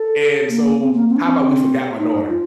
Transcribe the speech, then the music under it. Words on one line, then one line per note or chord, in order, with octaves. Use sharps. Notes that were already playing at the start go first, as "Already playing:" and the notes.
and so, how 'bout we forgot my daughter?
Already playing: A4
A#3
C4
A#3
C4
D4
C4
D#4
F4